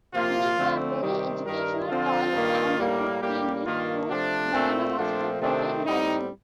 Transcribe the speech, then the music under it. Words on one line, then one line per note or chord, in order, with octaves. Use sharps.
These were very educational toys, and could be linked to dynamos to provide lighting.
C3 F3 A#3 F4
D3 F3 A3 C4
C3 D#3 G3 C4 G4
G2 D#3 G3 A#4
D3 F3 C4 F4
G2 D#3 A#3
A2 G3 A#3
A2 G3 A#3 G4
G2 D#3 A#3 F4
C3 F3 A3 D4
A#2 A3 C4
A#2 F3 A3 C4 D4
C3 D#3 A3 C4 D4
A2 G3 C4 D#4